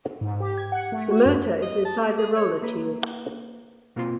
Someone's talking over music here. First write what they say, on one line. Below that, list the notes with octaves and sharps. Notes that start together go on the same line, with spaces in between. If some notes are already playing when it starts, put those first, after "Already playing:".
The motor is inside the roller tube.
G#2
G4
G#6
F#5
A3
F#4
F#2
D#5
A5
A#3
G#4
C#5
A#3 B4
B2 A#3 C4 F4 E5 C6